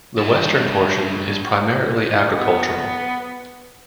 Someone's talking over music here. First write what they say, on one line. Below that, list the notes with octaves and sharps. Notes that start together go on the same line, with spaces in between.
The western portion is primarily agricultural.
G2 A4
B3